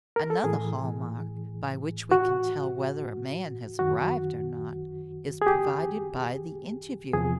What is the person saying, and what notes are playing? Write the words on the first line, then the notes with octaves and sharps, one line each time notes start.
Another hall-mark by which we can tell whether a man has arrived or not is provided by the interview.
A#4
A4
A2 E3 G#4
F#4
F#2 D#3 F#4
G#4
G4
E2 C3 F3 G#4